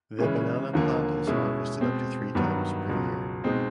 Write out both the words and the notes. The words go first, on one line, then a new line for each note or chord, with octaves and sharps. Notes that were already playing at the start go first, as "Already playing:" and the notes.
The banana plant is harvested up to three times per year.
C#3 E3 G#3 C#4
D#2 D3 F3 A#3
B2 G#3 C#4 E4
B2 G#3 C4
G2 D#3 F#3 B3
C#2 B2 F#3
B2 G#3 C4 D#4